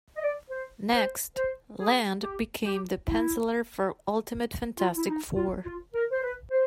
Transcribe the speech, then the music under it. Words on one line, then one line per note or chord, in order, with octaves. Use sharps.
Next, Land became the penciler for "Ultimate Fantastic Four".
D#5
D5
C5
C5
C5
G#4
G4
G4
E4
F4
E4
D#4
F4
F4
A#4
C5
B4
C5